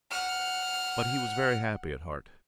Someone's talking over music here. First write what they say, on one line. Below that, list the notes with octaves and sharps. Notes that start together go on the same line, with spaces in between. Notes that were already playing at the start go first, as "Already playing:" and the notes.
But he was very happy at heart.
F#5 F6